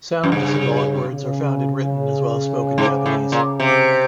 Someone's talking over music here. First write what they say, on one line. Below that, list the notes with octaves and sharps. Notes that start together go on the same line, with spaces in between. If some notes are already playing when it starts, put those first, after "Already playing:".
Sound symbolic words are found in written as well as spoken Japanese.
F#2
G2 C#3
C#3
G#2
A2
A#2
C3